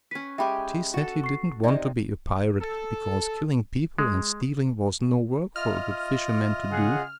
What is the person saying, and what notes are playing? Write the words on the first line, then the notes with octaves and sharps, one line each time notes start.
But he said he didn't want to be a pirate, because killing people and stealing was no work for a good fisherman to do.
C#4 B4 B6
G#3 G4 E5 G5 G#5 B5
F#4 A4
C#6 C7
C3 D#4 D5 D#5
A4
G#3
F4 D#5 E5 F6
C#3 G#4 F#5